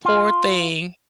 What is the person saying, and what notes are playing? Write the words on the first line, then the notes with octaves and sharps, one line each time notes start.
Poor thing,
F4